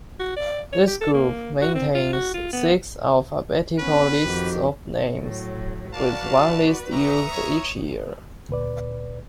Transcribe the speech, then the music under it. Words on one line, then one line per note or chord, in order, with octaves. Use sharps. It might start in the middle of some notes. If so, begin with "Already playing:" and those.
This group maintains six alphabetical lists of names, with one list used each year.
F#4
D5
C#5
G4
A4
A#3
F#4
C4
F4
F#4
F4
B3
B3 C#4 B4
F2 D#3 F#4 G4
A2 F#3
D4 F#4 A#4 B4 D5 F5 A5
G4 E5 A#5 C#6 D#6 C#7
C#5
D2 A#2 B4 D5